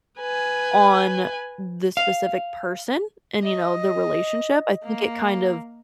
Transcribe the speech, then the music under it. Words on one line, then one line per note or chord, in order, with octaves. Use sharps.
on the specific person and, you know, the relationship, I think it kind of
B4 G#5
F5
D#5
A#3